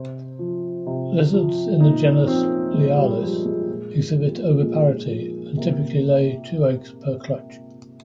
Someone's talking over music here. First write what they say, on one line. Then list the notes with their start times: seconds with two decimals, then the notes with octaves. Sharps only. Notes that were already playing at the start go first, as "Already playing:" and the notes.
Lizards in the genus "Lialis" exhibit oviparity and typically lay two eggs per clutch.
Already playing: C3 C5
0.39 F3
0.86 C3
1.33 F3
1.80 A#2 D#4
2.04 C#4
2.27 F3 C4
2.74 A#2 G#3
2.98 G3
3.21 F3 G3
3.45 G#3
3.69 A#2
4.16 F3
4.62 A#2 G#3
5.10 F3
5.57 C3 A#3